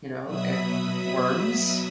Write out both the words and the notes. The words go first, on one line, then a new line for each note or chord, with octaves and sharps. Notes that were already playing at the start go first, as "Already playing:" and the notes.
you know, and worms.
B2 F#3 E5 B5 D#6